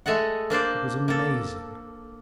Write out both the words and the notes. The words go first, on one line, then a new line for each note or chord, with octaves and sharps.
It was amazing.
G#3 A3 A4 D#5 F#5
A#3 D4 C5 D5
A#3 A4